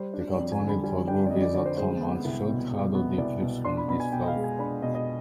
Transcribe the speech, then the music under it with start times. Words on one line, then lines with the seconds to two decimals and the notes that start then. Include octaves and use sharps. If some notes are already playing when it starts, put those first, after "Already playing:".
The Cartoon Network "Groovies" Atom Ant short had audio clips from this film.
Already playing: G3 C5
0.14 D4
0.36 F2 D5
0.52 G#5
0.61 D3
0.68 B5
0.83 G3 G#5
1.07 D4 G5
1.26 D5
1.30 F2 D#5
1.42 D5
1.53 D3 D5
1.66 C5
1.78 G#3 C5
2.01 B3
2.24 C2
2.48 B2
2.72 G#3
2.95 B3
3.18 C2 D5
3.42 B2
3.65 D4 C6
3.77 B5
3.88 B2 B5
4.00 G#5
4.12 B2 G5
4.22 D#5
4.28 F5
4.36 G#3
4.44 G#5
4.59 D4 B5
4.82 B2 D#5
4.95 D#5